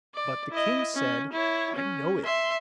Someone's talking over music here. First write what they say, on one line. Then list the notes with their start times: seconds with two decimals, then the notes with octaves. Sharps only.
But the king said, 'I know it.
0.15 D5
0.51 E4 D#5
0.95 C#4
1.32 E4 C#5
1.75 C#4
2.24 E5 C6